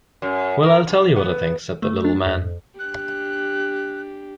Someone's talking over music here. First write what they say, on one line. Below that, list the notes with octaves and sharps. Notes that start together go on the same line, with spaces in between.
"Well, I'll tell you what I think," said the little man.
F#2
A#4
G2
B3
A3
D4
F2
D4 G4 F#6